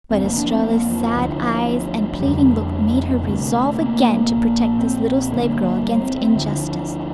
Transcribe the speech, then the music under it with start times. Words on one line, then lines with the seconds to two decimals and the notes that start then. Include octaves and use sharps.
But Estralla's sad eyes and pleading look made her resolve again to protect this little slave girl against injustice.
0.10 F1 F2 D3 C4
0.24 A#3
0.37 D4
0.50 C4
0.64 A#3
0.90 F3
1.15 D2 D3 F3
2.20 F1 F2 D3 G3
3.23 D2 C3
3.75 A#3
4.27 A#1 A#2
4.79 C4
5.32 G1 G2 D3 A#3
5.83 G3
6.00 C4
6.18 C4
6.35 D2 D3 F3